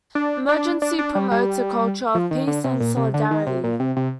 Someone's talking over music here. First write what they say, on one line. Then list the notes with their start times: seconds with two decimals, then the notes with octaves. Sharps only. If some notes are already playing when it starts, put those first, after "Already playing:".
Emergency promotes a culture of peace and solidarity.
0.15 D4
0.49 D4
0.82 D4
0.99 D4
1.15 G3
1.31 G3
2.15 F3
2.31 D#3
2.47 D3
2.64 C3
2.80 A#2
2.97 C3
3.14 D3
3.31 D#3
3.47 C3
3.64 A#2
3.80 C3
3.96 C3